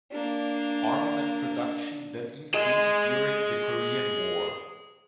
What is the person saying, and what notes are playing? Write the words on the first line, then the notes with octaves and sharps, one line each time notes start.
Armament production then increased during the Korean War.
A#3 D4
G#4 D#5